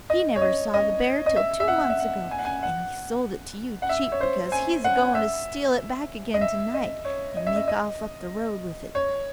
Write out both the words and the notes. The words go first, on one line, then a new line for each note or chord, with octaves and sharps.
He never saw the bear till two months ago, and he sold it to you cheap because he's a-goin' to steal it back again to-night, and make off up the road with it.
D#5
C#5
D#5
D#5
D#5
E5
E5
F#5
E5
F#5
G#5
F#5
G#5
F#5
F#5
E5
C#5
C5
G#5
F#5
E5
D#5
E5
D#5
C#5
D#5
E5
D#5
D#5
C#5